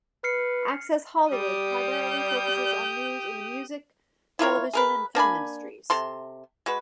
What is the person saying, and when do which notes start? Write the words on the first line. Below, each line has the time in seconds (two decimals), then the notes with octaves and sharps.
"Access Hollywood" primarily focuses on news in the music, television, and film industries.
0.24 B4 F6 C7 C#7
1.31 G3 G4 D#6 G6
4.39 E4 F4 A#4 C#5
4.73 G#4 A#4 B4
5.15 A#3 D4 G#5 B5
5.90 C3 A4 C6
6.66 G#3 F#4 B4